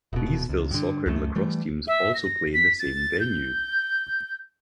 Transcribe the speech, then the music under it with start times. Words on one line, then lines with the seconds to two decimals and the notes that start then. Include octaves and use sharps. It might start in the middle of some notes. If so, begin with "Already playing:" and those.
Leesville soccer and lacrosse teams also play in the same venue.
0.13 D#1 B2
0.49 C#2
0.71 G2 D3
1.06 C#2 F#2 A3
1.35 E3 G3 A3
1.87 E5
2.15 A#6
2.54 B6
2.79 A6
3.20 G6